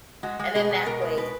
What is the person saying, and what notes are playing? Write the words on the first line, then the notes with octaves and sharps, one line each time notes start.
and then, that way,
G#3 F#4
G#3
B2 G#4
G#3
B2 A#4
G#3
B2 B4